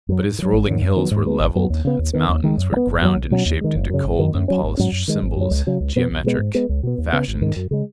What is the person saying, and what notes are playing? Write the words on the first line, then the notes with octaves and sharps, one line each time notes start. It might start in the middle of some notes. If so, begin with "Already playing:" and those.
But its rolling hills were leveled, its mountains were ground and shaped into cold and polished symbols--geometric, fashioned.
F#2 F#3
G#2
D#3
F#3
G#1
G#2 D#3 F#3
F#2
D#3 F#3 B3
G#2
G#3 B3
G#1
F#2 F#3 B3
D#2
C#3 B3
D#2
D#3 B3
D#2
D#3 G#3
F#2
F#3
B3
F#1
F#2 D#3 F#3
B1
B2 F#3 C#4
D#2
D#3 G#3
F#1
F#2 C#3
G#1
F#2 D#3
F#2
F#3 C#4
G#1
G#2 F#3 C#4
F#2
D#3 G#3
G#1
F#2 F#3
C#2
C#3 F#3 C#4
C#2
B2 B3
B1
B2 G#3 B3
G#2
G#3 B3
C#2
B2 B3
D#2
C#3 B3
G#1
G#2 D#3
F#2
C#3 G#3